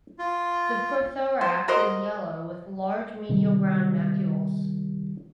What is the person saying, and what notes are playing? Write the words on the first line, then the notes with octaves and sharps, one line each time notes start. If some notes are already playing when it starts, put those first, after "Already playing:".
The prothorax is yellow with large medial brown macules.
F4
C5
F#4 A#4 C5 D#5
C3 D#3 G3